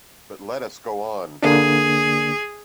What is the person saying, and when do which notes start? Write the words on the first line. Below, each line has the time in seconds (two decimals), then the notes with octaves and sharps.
But let us go on.
1.43 D3 A#3 D4 G#4